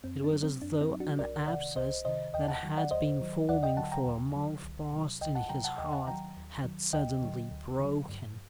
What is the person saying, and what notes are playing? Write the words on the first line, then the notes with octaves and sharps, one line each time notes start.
It was as though an abscess that had been forming for a month past in his heart had suddenly broken.
F#2 C4
D4
F#3
C4
F#2 D4
C4 D#4
F#3
D4 F#4
C2 A#4 D5
C3 D#3 D5 F#5
C2 C5 D#5
C3 D#3 C5 D#5
D#2 D#5 G5
F#5 A5
D#3 F#3
D5 F#5
D#2 C5 D#5
D#3 F#3
D#2 D5 F#5
D#5 G5
D3 F#3 F#5 A5
G5 A#5
D#2
D3 F#3
C2
C3 F#3
C2 D#5 G5
F#5 A5
C3 F#3 G5 A#5
F#5 A5
D#2 D#5 G5
F#5 A5
D#3 F#3 G5 A#5
D#2
D#3 F#3
D2 D#5 G5
D3 F#3
D2
D3
F#3
G2